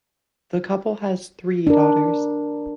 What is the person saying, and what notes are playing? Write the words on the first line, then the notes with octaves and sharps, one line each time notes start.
The couple has three daughters.
D4 A#4